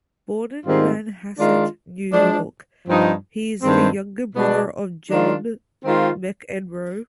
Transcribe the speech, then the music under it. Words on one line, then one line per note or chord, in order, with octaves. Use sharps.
Born in Manhasset, New York, he is the younger brother of John McEnroe.
G#2 D#3 G3 C4 F4
D#3 G#3 D4 F4
F3 G#3 D4
G2 F3 C4 D#4
G2 D#3 G#3 C4
B2 G#3 B3 D4
D#3 G#3 D4 F4
D#3 G#3 C4 F4